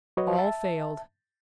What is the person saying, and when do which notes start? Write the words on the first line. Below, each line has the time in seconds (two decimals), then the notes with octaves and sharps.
All failed.
0.17 F#3 F#4 B4 C#5 D#5
0.38 E5 A5